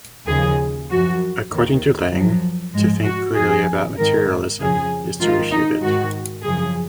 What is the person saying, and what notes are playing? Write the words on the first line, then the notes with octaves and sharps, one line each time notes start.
According to Lange, "to think clearly about materialism is to refute it".
D#2 C#3 F3 G#4
F#2 F3 F#4
D#2 D#3
F#2 F3 F#3
G#2 F3 G#3
F#4
F2 F3 G#4
G#2 D#3 A#4
F2 C#3 F3 G#4
G#2 D#3 F4
D#4
G#2 D#3 F#4
F#2 C#3 F3 G#4